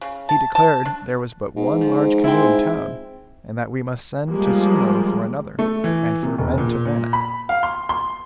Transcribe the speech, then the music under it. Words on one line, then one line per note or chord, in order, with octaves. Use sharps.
He declared there was but one large canoe in town, and that we must send to Suno for another, and for men to man it.
C#3
A5
A5
D4
G#2
F3
G#3 C4 E4 G5
F3 G3 G#3 A#3
A3
E3
C3
E1
A#2
A#2
B5
F5
C6
C6